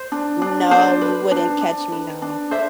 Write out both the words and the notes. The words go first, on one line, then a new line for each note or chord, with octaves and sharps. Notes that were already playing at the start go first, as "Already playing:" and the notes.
No, you wouldn't catch me, no.
Already playing: C5
D4
D4
D4 C5
B4
D4
D4
B4
D4
D4 C5 E5